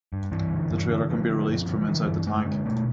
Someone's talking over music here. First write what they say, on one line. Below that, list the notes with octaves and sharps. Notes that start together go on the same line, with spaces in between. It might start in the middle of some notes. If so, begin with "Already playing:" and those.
The trailer can be released from inside the tank.
G2
G2 E3
D3
G2
D3
D3 F3
D3
G2
D3
F3
D3 E3
G2
G2 G#3
D3
B2 A3